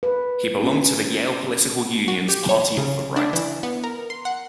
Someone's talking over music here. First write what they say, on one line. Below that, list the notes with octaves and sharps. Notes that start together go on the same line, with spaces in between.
He belonged to the Yale Political Union's Party of the Right.
B4
C#4
F#4
G4
C#5
C#3
D4
E3
B3
A#4
C6
F#5